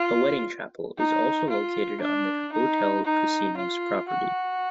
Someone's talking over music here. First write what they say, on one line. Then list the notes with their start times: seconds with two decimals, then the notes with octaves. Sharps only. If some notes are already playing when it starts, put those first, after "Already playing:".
A wedding chapel is also located on the hotel casino's property.
Already playing: F4
0.98 D#4
1.50 F4
2.01 D4
2.52 D#4
3.05 D#4
3.57 F4
4.08 F#4